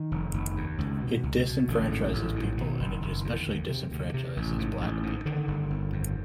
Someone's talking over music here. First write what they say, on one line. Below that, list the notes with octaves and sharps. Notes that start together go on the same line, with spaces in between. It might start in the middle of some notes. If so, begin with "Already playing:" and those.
It disenfranchises people and it especially disenfranchises black people.
Already playing: D#3
F1
F1
D#2
C#2
B2
C#2
B2
A1 D3
G#2
A1
G#2
B2 D#3
F#1
F#1
E2
D2
C3
D2
C3
A1
G#2
A1
G#2
D3 D#3
G1
G1
F2